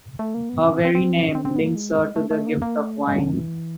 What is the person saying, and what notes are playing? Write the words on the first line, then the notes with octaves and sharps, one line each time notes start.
Her very name links her to the gift of wine.
A3
A#3
B3
C#4
C4
C4
C4
C#4
C4
C4
B3
A3
A#3
G#3
A3
A3
A#3
A#3
A3
G#3
D3
D#3
E3